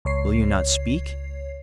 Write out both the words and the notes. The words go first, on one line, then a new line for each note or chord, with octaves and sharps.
Will you not speak?
C#2 C#5 C7